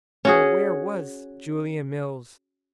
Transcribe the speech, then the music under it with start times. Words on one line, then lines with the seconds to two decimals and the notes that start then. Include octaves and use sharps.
Oh, where was Julia Mills!
0.25 C#4 F#4 G#4